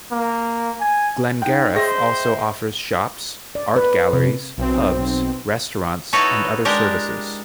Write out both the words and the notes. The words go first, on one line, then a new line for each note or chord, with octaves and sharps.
Glengarriff also offers shops, art galleries, pubs, restaurants and other services.
A#3
G#5
D#4 F#5 G5
G#4 C5 D#5 E5 G5 A#6
D5
B4
C3
B1 C4
D#4 E4 F#4 A4 B4 C#5
G#3 D4 G4 A#4